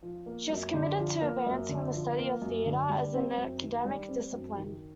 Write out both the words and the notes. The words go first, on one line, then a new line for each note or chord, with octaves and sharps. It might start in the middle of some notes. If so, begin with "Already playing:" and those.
She was committed to advancing the study of theatre as an academic discipline.
F3
A#3
F#2
D3
F3
A#3
F#2
D3
F3
A#3
F#2
D3
G3
C4
F#2
D#3
G3
C4
F#2
D#3